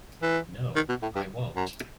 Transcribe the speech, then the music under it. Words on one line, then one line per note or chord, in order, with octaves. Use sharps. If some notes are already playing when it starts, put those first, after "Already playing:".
No, I won't!
E3
D#3
B2
A2
G2
F#2